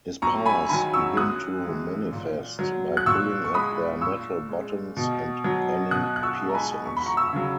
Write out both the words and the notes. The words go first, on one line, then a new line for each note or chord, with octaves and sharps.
His powers begin to manifest by pulling at their metal buttons and any piercings.
F#2 A#5 C#6
G#5 B5
D#3 F#3 G#5 B5
C#6 E6
F#2 D#6 F#6
E3 G#3
A#2
F#3
F#6
A#2 C#6 E6
C#6
G#3 B5 D#6
A#2 C#6 E6
G#3
B2
F#3
B2 D#6 F#6
F#6
C#6 E6
G#3
A#5
G#5 B5
E2 C#6
B5
A#5 C#6
C#6 E6
C#3 F#3